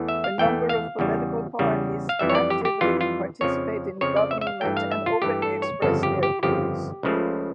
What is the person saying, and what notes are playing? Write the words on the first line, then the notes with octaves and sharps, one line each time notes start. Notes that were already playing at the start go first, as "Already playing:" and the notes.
A number of political parties actively participate in government and openly express their views.
Already playing: E2 E3 A3
E5
F5
E2 E3 A3 G5
F5
E2 C#3 G3
E2 C#3 G3
F5
F2 E3 G3 E5
C#5
D5
G4
G4
F2 E3 G3 F4
F4
F2 C#3 F3 C#5
F2 C#3 F3 C#5
D5
E5
E5
F5
G2 E3 A3 G5
F5
E5
F4
G2 E3 A3 G4
A4
C#5
G1 F2 C#3 F3 A4
G4
G4
G1 F2 C#3 F3 G4
C#2 C#3 F3 A3